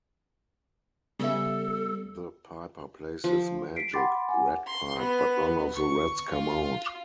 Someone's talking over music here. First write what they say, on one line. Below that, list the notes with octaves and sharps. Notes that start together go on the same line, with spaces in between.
The piper plays his "magic" rat pipe but none of the rats come out.
C#3 G3 B3 A4 E5
F3
B6 C7 D7
F#5 G5 B5 C6 D6 A6
F#5 G#5
C6
B3
C#6
F4